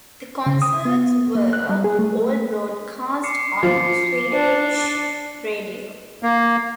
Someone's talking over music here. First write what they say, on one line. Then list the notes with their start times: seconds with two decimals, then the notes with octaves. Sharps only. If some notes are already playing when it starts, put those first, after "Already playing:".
The concerts were all broadcast on Swedish radio.
0.46 C#3
0.62 D#6
0.85 B3
1.35 A#3
1.53 F#6
1.69 G3
1.84 G#4
1.99 A3
3.24 D6 C7 C#7
3.63 F3 C7
4.32 D4
6.23 A#3